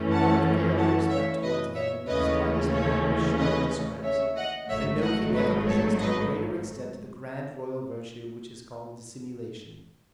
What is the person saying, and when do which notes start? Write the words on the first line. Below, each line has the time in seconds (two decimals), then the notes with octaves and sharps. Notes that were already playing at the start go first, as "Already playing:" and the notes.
Whoever failed in respect towards them in the slightest manner was sure of disgrace, and no king ever possessed to a greater extent the grand royal virtue which is called dissimulation.
Already playing: F#2 E3 A3 C#4
0.11 F#5 A5
0.77 F#5 A5
1.09 C#5 E5
1.42 B4 D#5
1.74 C#5 E5
2.07 D#2 C#3 E3 A3 C#4 B4 D#5
2.72 A4 C#5
3.37 B4 D#5
4.03 C#5 E5
4.36 D#5 F#5
4.68 G#1 G#2 F#3 A3 C#5 E5
5.01 D#5 F#5
5.34 B4 D#5
5.66 A4 C#5
5.99 B4 D#5